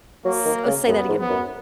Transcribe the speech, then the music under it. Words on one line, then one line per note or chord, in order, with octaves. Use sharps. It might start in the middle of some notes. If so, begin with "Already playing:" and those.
S Oh, say that again.
F#3 A#3
D#3
C#3
F#2 B3
G#2
B3
F#2